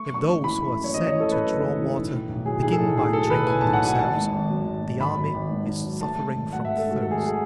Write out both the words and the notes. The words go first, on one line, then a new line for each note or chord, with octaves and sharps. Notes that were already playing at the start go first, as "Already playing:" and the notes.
If those who are sent to draw water begin by drinking themselves, the army is suffering from thirst.
Already playing: A3 C#6
F#2
C#6
G#1
E3 B5
A3
F#2
C#5
G#1 D#5
C#5
E3
A4
A3 B4
F#2
G#1
E3
B1
A2
B1
F#3 G#4
B1 G#4
A4
A2
B1 G#4
F#3 A4
B1 B4
A2 G#5
A5
B1
F#5
F#3 G#5
G#1 A5
G#2
G#1
F#3
G#1
G#2
G#1 B5
F#3
G#1
G#2
G#1
F#3
A3 A5
G#2
G#1
F#3 F#5
E5
A3
A4
G#2 F#4
G#1 A4
G#4
F#4
F#3
G#4